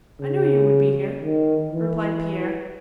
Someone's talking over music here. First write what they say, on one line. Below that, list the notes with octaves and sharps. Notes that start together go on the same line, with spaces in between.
"I knew you would be here," replied Pierre.
C#3
D#3
E3